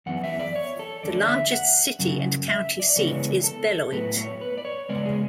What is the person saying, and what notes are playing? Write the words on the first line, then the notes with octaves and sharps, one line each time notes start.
The largest city and county seat is Beloit.
F#2 E3 B3 F#5
E5
D5
C#5
A4
E2 D3 A3 D5
E5
F#5
F#2 C#3 F#3
E5
D5
C#3 E3 G#3 B3 C#5
A4
A2 F#3 B3 B4
C#5
B4
D5
C#5
C#3 G#3 B3 D5
G#4